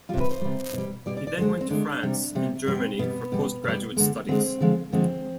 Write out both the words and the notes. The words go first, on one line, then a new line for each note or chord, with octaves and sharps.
He then went to France and Germany for postgraduate studies.
C3 G3 F4
B4
C5
C3 G3
B2 G3
B2 G3 D5
D5
D5
D3 G#3 C5
C4
D3 G#3 D4
C3 G3
C3 G3
B2 G3 C4
B2 G3 B3
B2 G3
B2 G3
D3 G#3
D3 G#3 C4
D3 F3 G#3
D3 F3 G#3 C4